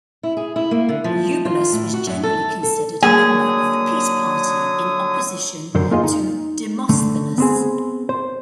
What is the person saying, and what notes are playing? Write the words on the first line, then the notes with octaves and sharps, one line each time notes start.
Eubulus was generally considered a member of the "peace party", in opposition to Demosthenes.
E4
G#4
E4
A#3
D3
F3
F4
A2
F#4
F#2
A4
A4
D3 F#3 A#3 G#4 D#6
F#2 D3 A#4 C5
A#3 D#4 F4 G#4 D#5 F5
D#4
D3 A3
B3 C4 G#4
C5